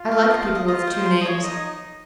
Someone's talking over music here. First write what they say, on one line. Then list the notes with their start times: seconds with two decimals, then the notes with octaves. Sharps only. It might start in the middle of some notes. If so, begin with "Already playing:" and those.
I like people with two names.
Already playing: F4
0.11 F5
0.31 D#5
0.43 F5
0.55 D#5
0.68 F4 D#5
0.87 C5
1.06 C5
1.21 D#5
1.25 C#5
1.43 D#4 D#5